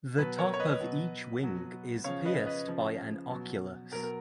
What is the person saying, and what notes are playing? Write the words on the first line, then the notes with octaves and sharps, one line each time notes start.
The top of each wing is pierced by an oculus.
B2 F#3 B4
A#4 C#5
C#5
B4 D#5
B2 F#3
B2 F#3
C#3 F3 C#5 F5
B4 D#5
B4 D#5
C#3 F3
B2 F#3
B2 F#3 A#4
A#4